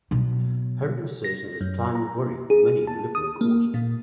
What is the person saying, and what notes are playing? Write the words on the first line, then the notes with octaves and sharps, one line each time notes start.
Hurricane season is a time of worry for many who live on the coast.
B2 F#3
A#6
F#2
A#5
G#4
A5
D#6
A#3
A#2